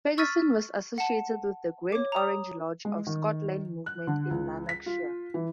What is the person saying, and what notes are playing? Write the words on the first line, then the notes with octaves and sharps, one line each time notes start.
Ferguson was associated with the Grand Orange Lodge of Scotland movement in Lanarkshire.
C#6 E6 F6 A6 B6 D#7
F#5 A5
C#5 D6
A#5 D#6
G#3
D#3
F#6
D3
C#2
B6
F4
E3